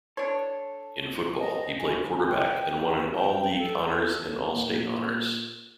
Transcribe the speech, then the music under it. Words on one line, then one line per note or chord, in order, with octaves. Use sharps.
In football, he played quarterback, and won an All-League honors and All-State honors.
D4 A4 C#5
D#5
G#5
G5
G5
A4
A4
A#2